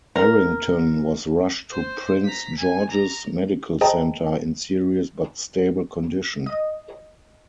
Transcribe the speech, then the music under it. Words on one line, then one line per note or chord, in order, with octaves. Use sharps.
Arrington was rushed to Prince George's Medical Center, in serious but stable condition.
A#4
C5
A#5 B6
G#5
A#5
G#4 C5 D#5 G5 A5 A#5
D#5